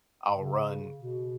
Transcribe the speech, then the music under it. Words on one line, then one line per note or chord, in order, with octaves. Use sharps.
I'll run
C#3
B2